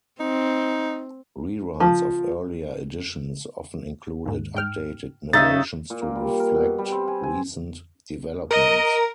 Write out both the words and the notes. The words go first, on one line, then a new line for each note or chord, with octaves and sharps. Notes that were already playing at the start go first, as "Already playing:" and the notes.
Reruns of earlier editions often included updated narrations to reflect recent developments.
C4 D#4
F3
D#2 G#2
G#2 G5 F6
C#3 C#4 D#4 E5 A6
A#2
A#3
G3
A#4
B2
G3
C4
G#5
G#5
A#4 D#5